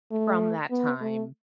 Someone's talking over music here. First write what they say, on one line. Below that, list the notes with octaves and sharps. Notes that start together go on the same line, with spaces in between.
From that time,
A3
B3
A3